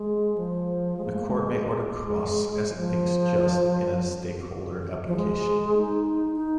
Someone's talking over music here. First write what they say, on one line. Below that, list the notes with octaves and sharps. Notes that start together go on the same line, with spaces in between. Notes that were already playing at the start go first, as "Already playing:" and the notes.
The court may order costs as it thinks just in a stakeholder application.
Already playing: G#3
F3
G#3
A#3
G#3
A#3
G#3
G#3
F3
F3
G#3
D#4
D#4